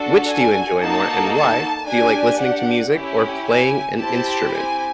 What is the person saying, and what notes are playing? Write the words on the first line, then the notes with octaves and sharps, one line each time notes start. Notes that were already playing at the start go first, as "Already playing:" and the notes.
which do you enjoy more and why? Do you like listening to music or playing an instrument?
Already playing: D4 F#4 A4
G#5
A#3 D#4 F#4 A4 A5
A5
D4 G4 G#5
F#5
C#4 E4 G4
G#5
C4 E4 G4 A5
G#5